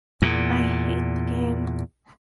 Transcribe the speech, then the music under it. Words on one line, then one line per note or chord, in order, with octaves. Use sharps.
I hate the game.
E2 A#2